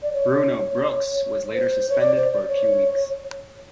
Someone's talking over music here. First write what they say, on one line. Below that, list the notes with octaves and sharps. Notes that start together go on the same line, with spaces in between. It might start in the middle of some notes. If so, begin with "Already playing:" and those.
Bruno Brookes was later suspended for a few weeks.
D5
C#5
C#5
C5
C#5
D5
C5
D5
C#5
C#5